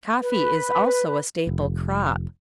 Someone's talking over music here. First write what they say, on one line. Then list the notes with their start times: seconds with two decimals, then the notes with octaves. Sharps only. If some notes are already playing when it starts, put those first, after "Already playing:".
Coffee is also a staple crop.
0.22 B4
1.47 F1